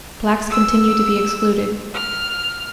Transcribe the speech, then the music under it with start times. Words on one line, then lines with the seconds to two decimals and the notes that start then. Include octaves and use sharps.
Blacks continued to be excluded.
0.50 E6
1.94 F6